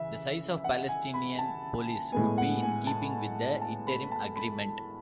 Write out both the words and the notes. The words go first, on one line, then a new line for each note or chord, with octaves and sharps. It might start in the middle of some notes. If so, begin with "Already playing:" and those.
The size of Palestinian police would be in keeping with the Interim Agreement.
Already playing: C#3 E3 E5
F#5
G#5
B5
A5
A2 G#3 B3 G#5
F#5
G#5
A5
A5
B5
A5
B5